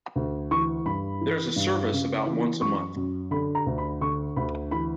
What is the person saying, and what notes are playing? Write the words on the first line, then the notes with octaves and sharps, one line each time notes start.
There is a service about once a month.
D2
E3 C#6
G2 B5
E3
G2
C#3
E3
F#2 C#6
F#2
D3 B5
A#5
D2
B5
D3 C#6
D2 B5
E3 B5